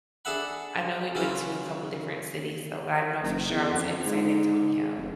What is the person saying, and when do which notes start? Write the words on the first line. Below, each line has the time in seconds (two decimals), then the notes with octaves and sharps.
I know we went to a couple different cities, though, but I know for sure I was in San Antonio.
0.25 D4 G#4 A4 E5 F#5 B5
1.15 C#3 F#3 C#4 E4 F4
3.22 F#1
3.49 E2
3.73 F2
4.06 G#2
4.97 F1